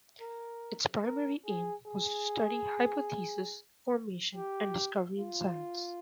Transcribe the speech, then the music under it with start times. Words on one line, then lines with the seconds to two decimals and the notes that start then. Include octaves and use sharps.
Its primary aim was to study hypothesis formation and discovery in science.
0.21 A#4
1.03 A#4
1.45 G#4
1.86 G#4
4.36 G4
5.18 F4